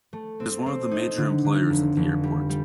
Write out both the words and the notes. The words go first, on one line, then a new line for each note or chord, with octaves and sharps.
It is one of the major employers at the airport.
A3
C4
C4
D#4
D3
D3
F1
F1
G3
G3